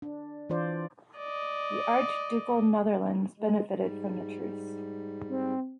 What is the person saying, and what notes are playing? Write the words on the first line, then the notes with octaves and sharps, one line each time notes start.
The Archducal Netherlands benefited from the Truce.
D4
E3 D4 F4 C5 D5
D5 D#5
G#3
G#2 G3
C4